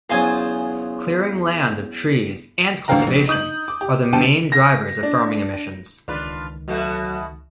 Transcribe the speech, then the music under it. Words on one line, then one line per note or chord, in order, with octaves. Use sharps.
Clearing land of trees, and cultivation, are the main drivers of farming emissions.
E2 C#3 F#3 F4 C5 G#5
A1 D2 D3 F5 G5 A#5
A#1
D#4 D#6 G6 F#7
D6
G4
D2 G3 G5 A5 D#7
A#6
D4
C#2 D#3 D4 F4 B4
B2 F#3 A3 F#4